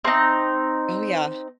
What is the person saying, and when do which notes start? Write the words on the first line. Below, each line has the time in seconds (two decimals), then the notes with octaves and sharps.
Oh, yeah.
0.05 C4 D#4